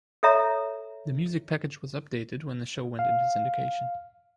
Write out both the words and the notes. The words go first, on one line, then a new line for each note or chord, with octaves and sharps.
The music package was updated when the show went into syndication.
A4 C#5 E5 A#5
F5